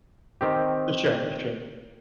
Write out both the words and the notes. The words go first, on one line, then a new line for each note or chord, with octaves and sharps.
For sure. For sure.
D#3 C4 G4